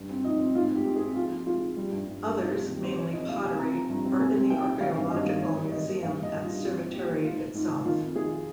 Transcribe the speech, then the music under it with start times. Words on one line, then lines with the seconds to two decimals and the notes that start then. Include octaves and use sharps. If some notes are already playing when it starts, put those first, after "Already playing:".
Others, mainly pottery, are in the Archaeological Museum at Cerveteri itself.
Already playing: G2
0.09 C4
0.24 F3 D#4
0.40 C4
0.55 G#2 F4
0.70 G#2
0.76 G4
0.86 G#2
0.96 G#4
1.00 C4
1.16 F3 F4
1.31 F3
1.46 G#3 F4
1.61 F3
1.77 G3
1.92 G2
2.07 G2
2.22 G2
2.37 C3 D#4
2.53 C3 F4
2.68 D#3 G4
2.83 C3 C5
2.98 F3 C#5
3.13 F2 D#5
3.29 C3 F5
3.44 C3 G#5
3.59 C4 A#5
3.75 F3
3.90 G2
4.05 C4
4.20 C3 G#5
4.35 C4
4.50 C4 G5
4.66 C4
4.81 D#3 F5
4.96 G2
5.11 G2 D#5
5.26 D#3
5.42 G#2 C#5
5.57 G3
5.72 G#2 D#5
5.87 A#3
6.03 G2 F5
6.17 G2
6.23 D#5
6.34 G2
6.43 F4
6.48 G2
6.64 C4 F4
6.79 A#2
6.94 A#2 G4
7.09 A#2
7.24 G#2 F4
7.40 F3
7.55 G#2
7.70 G#2
7.85 D#3 F4
8.01 F2
8.16 D#3 G#4